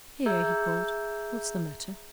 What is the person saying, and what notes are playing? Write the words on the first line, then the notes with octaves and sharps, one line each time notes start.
"Here," he called, "what's the matter?"
G#4 E5 A#5 E6 G6 G#6